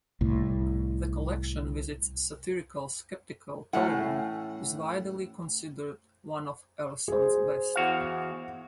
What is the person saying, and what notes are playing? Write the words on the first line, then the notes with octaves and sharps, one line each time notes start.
The collection, with its satirical, skeptical tone, is widely considered one of Ellison's best.
C2 A2
A2 E3 A3 C#4 F#5
G#4 C5
E2 F#4 F5